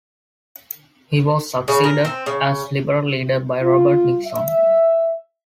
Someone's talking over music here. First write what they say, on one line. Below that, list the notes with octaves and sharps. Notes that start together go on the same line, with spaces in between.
He was succeeded as Liberal leader by Robert Nixon.
C#3
A#4
C4
C#3
F4
E5